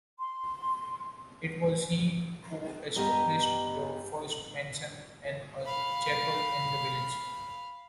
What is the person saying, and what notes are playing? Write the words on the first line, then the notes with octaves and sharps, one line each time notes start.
It was he who established the first mansion and a chapel in the village.
C6
G2 B3 G4 D#5 A#5
F5 B5